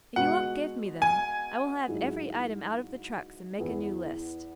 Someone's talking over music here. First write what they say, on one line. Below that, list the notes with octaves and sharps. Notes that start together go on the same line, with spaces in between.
If you won't give me them, I will have every item out of the trucks and make a new list.
B2 G#3 B3 F#4 F#5
G#5
G#2 F#3 E4 G#4
E2 E3 B3 E4 G#4